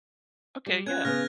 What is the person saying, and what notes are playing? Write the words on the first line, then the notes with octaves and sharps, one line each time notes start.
Okay, yeah.
G3
C#4 F4 F#6 G#6
C#3 B3 F6 A#6